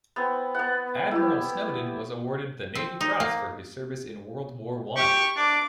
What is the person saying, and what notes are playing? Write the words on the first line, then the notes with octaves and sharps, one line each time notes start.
Admiral Snowden was awarded the Navy Cross for his service in World War One.
B3 C4
B3 F#5
E4 G4
C4
D#4
A#3
G4 C#6
D4 D6